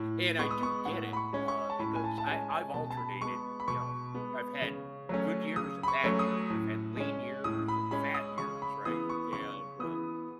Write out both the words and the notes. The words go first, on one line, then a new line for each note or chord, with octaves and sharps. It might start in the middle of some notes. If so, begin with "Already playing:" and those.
and I do get it, uh, because I I've alternated, you know, I've had good years and bad years. I've had lean years and fat years, right, and, uh,
Already playing: A2
G#3 B3 C#6
D#6
C#6
A2 F#5
B5
C#6
G#3 C#4
C#6
A5
A2 B5
G#5
A5
A5
G#3 C#4 G#5
G#5
B2 A5
A5
B5
G#3 B3 C#6
B5
B2 C#6
G#3 B3
C#3
F#3 A3 C#4
C#3 D#6
B5
C#6
F#3 A3 C#4
D#6
A2
G#3 C#4
A2 D#6
B5
G#3 C#4 B5
D#6
C#3 C#6
B5
E3 B3 D#6
C#6
C#3 C#6
E3 B3 D#6